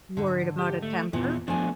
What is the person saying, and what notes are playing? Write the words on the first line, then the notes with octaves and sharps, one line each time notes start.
Worried about a temper?
G#2 D3
G4
A3
D#2 A#2 E3 B3
F3 A3 B3 D4 G#5